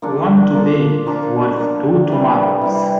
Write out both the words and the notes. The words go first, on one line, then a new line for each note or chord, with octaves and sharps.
One today is worth two tomorrows.
F3 A#3 D4 A4
F3 A#3 D4 A4
F3 A#3 D4 A4
F3 A#3 D4 A4
C3 E3 G3
C3 E3 G3